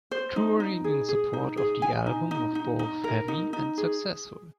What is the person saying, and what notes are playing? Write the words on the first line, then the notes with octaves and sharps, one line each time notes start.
Touring in support of the album was both heavy and successful.
C5
D#4
D#4
G#4
G#4
D#4
G#4
G#5
D#4
D#4
D#4
D#4
A#4
D#4
D#4
G#4